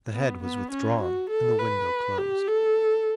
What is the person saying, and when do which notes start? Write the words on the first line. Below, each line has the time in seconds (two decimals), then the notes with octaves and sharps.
The head was withdrawn and the window closed.
0.14 B3
0.42 B3
0.71 C#4
1.01 F#4
1.30 A4
1.59 B4
2.18 G4
2.47 A4